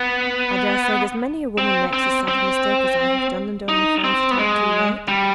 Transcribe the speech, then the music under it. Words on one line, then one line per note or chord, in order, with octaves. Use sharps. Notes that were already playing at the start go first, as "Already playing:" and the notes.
'I dare say, there's many a woman makes as sad a mistake as I have done, and only finds it out too late.
Already playing: B3
C4
C4
C4
D#4
C4
B3
G#3
G3